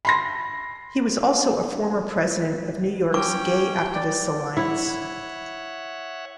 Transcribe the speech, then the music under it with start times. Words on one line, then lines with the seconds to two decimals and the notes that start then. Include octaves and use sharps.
He was also a former president of New York's Gay Activists Alliance.
0.05 B5 C6 A#6
3.14 C#4 G5 D6
3.94 D5
4.57 E4 C#5 E5 F#5